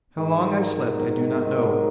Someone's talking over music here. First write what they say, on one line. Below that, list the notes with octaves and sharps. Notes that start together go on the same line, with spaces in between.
How long I slept I do not know.
G#2 D#3
F#3
F#3
F#3
D#3
D#3
D#3
F#3